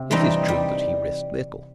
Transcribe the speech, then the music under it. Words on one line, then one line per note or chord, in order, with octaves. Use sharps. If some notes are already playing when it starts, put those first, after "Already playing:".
It is true that he risked little.
Already playing: C3
E3 G3 C4 D#4
G3